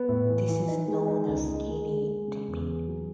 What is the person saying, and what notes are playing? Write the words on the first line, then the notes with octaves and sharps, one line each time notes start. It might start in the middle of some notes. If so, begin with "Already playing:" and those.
This is known as skinny dipping.
Already playing: B3
A2
E3
E3
D#4
G#3
D#4
C#2
G#3
G#3
G#4
G#3
C#3
E2
G#4
F#3